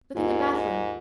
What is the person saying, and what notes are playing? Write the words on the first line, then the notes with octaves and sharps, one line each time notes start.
Look in the bathroom!
D#2 G#2 D#3 A#3 F4
G#2